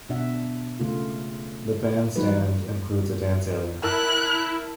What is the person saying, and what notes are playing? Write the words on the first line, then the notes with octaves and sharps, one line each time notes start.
The bandstand includes a dance area.
B2 D4 E5 F#5
C#3 A3 F4
E3 F#3 G3 D#4 F#4 B4
E4 A#4 A5 E6 F#6